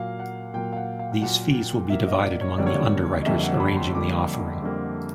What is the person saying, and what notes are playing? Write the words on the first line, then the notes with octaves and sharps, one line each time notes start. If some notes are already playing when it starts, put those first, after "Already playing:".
These fees will be divided among the underwriters arranging the offering.
Already playing: A#2 F#3 A#3 F5
F#5
A#2 F#3 A#3 G5
F5
F#5
F5
F5
A#2 F#3 A#3 F#5
A#2 F#3 A#3 E5
D#5
D5
C#5
F2 D3 G3 A#3 D5
C#5
D5
D#5
F2 D3 G3 A#3 E5
F#5
B5
C6
F2 D3 G3 A#3 D6
F2 D3 G3 A#3